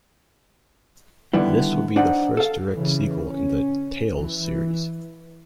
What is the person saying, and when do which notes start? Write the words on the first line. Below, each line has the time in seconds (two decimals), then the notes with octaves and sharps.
This would be the first direct sequel in the "Tales" series.
1.33 D3 D#3 G3 B3 E4
1.96 D4 D#4 C5 F#5
2.37 A4 F5
2.74 C#3 E3
3.28 C#4
4.15 E3